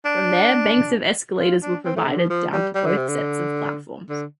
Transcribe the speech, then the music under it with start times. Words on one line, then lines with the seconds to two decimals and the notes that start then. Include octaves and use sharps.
From there banks of escalators were provided down to both sets of platforms.
0.05 D4
1.39 F4
1.62 D4
1.85 C4
1.96 A3
2.07 D3
2.18 F3
2.30 F3
2.52 G3
2.75 G3
2.86 D3
2.97 C3
3.08 D3
4.09 D3